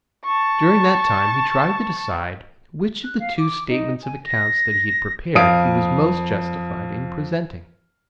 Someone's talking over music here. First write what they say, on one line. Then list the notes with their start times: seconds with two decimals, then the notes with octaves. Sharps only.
During that time he tried to decide which of the two statements of accounts that he had prepared he was most justified in presenting.
0.24 A5 C#6
3.04 F#6
3.20 F5
3.38 D6
3.69 D#4
4.04 G#5
4.25 A#6
5.35 F2 F5 D#6 D7